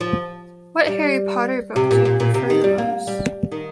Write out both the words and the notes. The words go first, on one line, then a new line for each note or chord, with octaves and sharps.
What Harry Potter book do you prefer the most?
F3
G3
C3
A#2
A#2
A#2
C3
D#3
G3
A#3
G3
D#3